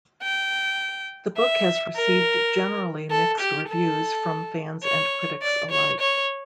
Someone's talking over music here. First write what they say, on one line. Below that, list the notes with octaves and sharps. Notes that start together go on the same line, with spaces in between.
The book has received generally mixed reviews from fans and critics alike.
G5
E5
A#4
A4
G4
A4
C#5
D5
C#5
C#5